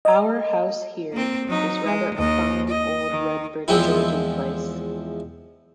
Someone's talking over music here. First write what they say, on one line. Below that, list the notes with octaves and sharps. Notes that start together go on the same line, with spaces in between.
Our house here is rather a fine old red brick Georgian place.
D#5
A#3 C4
F#3 D#4
G#3
D#2 D#5
D#5
D#3
E2 F3 G#3 C4 E4